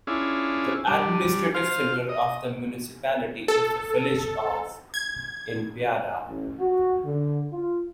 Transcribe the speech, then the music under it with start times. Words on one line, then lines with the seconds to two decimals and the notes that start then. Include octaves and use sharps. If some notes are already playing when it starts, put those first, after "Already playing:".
The administrative centre of the municipality is the village of Innbygda.
0.07 C#4 D4 E4 F4 G#4
0.88 G3 D4
1.54 F4 C5 F5
2.09 D#5
3.48 A4
4.94 G#6
6.28 A1
6.60 F#4
7.04 D3
7.53 F4